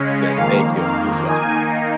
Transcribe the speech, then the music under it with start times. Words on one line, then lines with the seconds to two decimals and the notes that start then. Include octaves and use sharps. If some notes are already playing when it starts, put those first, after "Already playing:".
Yes, thank you. You as well.
Already playing: C#3 G#3 C#4
0.36 F2 D#3 A#3 F5
0.81 F5
1.28 D#3 A#3 D#4 G#5